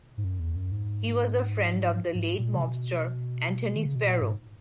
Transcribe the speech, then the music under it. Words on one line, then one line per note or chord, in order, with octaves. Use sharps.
He was a friend of the late mobster, Anthony Spero.
G#2
F#2
E2
F#2
G#2
G#2
A#2
C#3
B2
D#3
C#3
B2
A#2
G#2